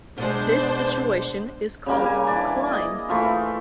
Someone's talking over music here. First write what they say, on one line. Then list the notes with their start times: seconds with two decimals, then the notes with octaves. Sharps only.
This situation is called cline.
0.18 B2 G#3 B3 D4 C5
1.86 C#3 G3 A#3
2.06 G#5
2.27 E3 D4 D5
2.71 D#5
3.09 E3 A3 F4 C5